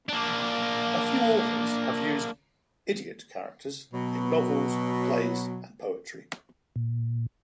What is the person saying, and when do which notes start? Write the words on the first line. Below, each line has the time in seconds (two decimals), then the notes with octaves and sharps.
A few authors have used "idiot" characters in novels, plays and poetry.
0.09 A#3 D4
3.93 B2 F#3
6.76 A#2